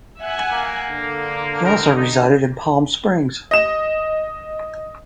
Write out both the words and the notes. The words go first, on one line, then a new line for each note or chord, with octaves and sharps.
He also resided in Palm Springs.
E5 F#5 G#5
A#3
D3
B3 C4 A#4
D#4
D#5 E7